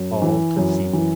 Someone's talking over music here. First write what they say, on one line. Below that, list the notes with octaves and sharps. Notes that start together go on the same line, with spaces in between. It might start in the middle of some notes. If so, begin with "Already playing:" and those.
All to see.
Already playing: F#2
E3
F#2
E3